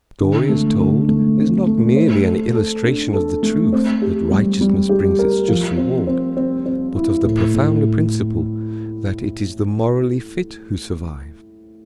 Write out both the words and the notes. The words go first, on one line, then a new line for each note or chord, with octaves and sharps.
The story as told is not merely an illustration of the truth that righteousness brings its just reward, but of the profounder principle that it is the morally fit who survive.
D3
A3
D3
A3
C4
A3
C5
A4
A4
D4
A4
A3
C4
G4
G3
G3
G4
A#4
F3
C4
C4
C4
C4
E4
A2
A2